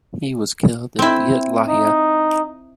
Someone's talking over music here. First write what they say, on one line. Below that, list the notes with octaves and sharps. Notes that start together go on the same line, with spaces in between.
He was killed in Beit Lahia.
C4 E4
D#4